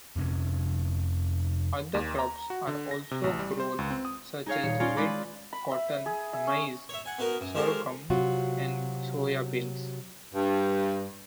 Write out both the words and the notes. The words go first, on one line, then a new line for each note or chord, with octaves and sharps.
Other crops are also grown, such as wheat, cotton, maize, sorghum and soya beans.
F2 C3 A#3 C#4
D#2
A#5
F#4
D3
A#6
C3
A1
G3
C5
C#2
C4
D#6
D#4 G#4 C#5 F5
D#1 C#7
C#4 D#4 F4 D5 C6
G#3 B4 D5 B5 D6
B5
E5
G#4
E5
C#4
C#5 E5
F#5 G#5
B3 D#4 F#4 A#4
F#2
F3 G#3 F4 G4 A4 A#4
C3 F#3 F4 F#4
G2